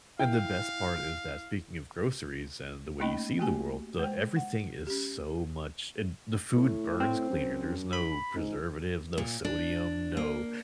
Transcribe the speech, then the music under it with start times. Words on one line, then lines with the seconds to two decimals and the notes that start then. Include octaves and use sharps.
and the best part is that- speaking of groceries and the way you see the world- the everything is so much and the food burns cleaner. There's no preservatives, no sodium, no
0.19 E4 F5 G5
3.00 A3 A#3 C#4 D#4 D#5 B5
3.39 A3 A#3 F#4 G4 G#5
3.99 G#3 C5 G5
4.36 F#5
4.87 C#4 G4
6.56 A2
7.00 C4
7.29 F#2
7.93 B5
8.35 G#2
9.18 A#2
9.45 D4
10.17 A#3